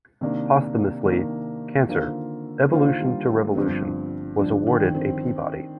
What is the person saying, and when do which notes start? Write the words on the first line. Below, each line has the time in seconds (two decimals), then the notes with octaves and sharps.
Posthumously, "Cancer: Evolution to Revolution" was awarded a Peabody.
0.21 C3 D#3 A#3 D4
1.05 D#3 A#3 D4
1.89 D3 D#3 A#3 F4 C5 F5
2.71 D3 D#3 A#3 F4 C5 F5
3.00 G3
3.28 A3
3.55 G1 G2 F3 C4
4.39 G1 G2 F3 D4
4.67 D#3
4.95 C4